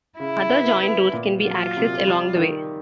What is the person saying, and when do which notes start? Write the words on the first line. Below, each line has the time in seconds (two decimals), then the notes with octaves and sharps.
Other joined routes can be accessed along the way.
0.19 C#3 E4
0.50 B3
0.82 B3
1.13 A#2
1.45 F#3 F4
1.77 C3
2.07 G3
2.39 D#3